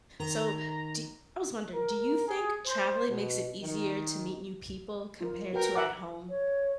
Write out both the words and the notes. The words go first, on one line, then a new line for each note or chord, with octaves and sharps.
So, do I was wondering, do you think traveling makes it easier to meet new people compared to at home?
D#3 A#5
A#4
G#4
C5
B2
D#3
F4 A#4
F#4 A#4 B4 G5
E5 F#5 D6
C#5